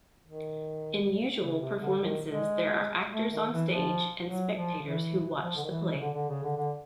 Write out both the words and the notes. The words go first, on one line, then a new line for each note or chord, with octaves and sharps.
In usual performances there are actors on stage and spectators who watch the play.
D#3
C#3
C3
D3
D#3
G#3
A3
D#3
E3
F3
F#3
F3
E3
F3
D3
D#3
E3
C#3
D3
D3
C#3
D3
D3